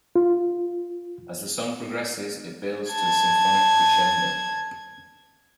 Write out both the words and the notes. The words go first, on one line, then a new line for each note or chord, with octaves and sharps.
As the song progresses, it builds to a symphonic crescendo.
F4
A5 G#6